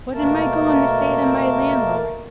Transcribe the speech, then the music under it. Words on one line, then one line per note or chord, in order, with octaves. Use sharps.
What am I goin' to say to my landlord?
B2 A3 A#3 A#4 A5